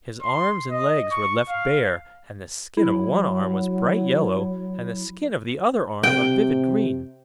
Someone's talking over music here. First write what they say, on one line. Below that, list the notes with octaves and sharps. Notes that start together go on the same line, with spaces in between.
His arms and legs were left bare and the skin of one arm was bright yellow and the skin of the other arm a vivid green.
C6
D#5
C#6
F5
F#3 E4
C3 G5